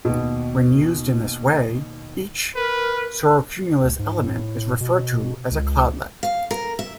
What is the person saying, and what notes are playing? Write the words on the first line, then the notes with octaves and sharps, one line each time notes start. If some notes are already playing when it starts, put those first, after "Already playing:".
When used in this way, each cirrocumulus element is referred to as a "cloudlet".
D#2 B2
A#4 B4
D2
G#2
A2
B2
C#2
F5
A#4
E5